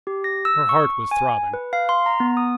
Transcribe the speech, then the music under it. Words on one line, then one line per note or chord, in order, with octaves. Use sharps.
Her heart was throbbing.
G4
A#6
E6
C#6
G#5
B4
F5
C6
A#5
B3
D#6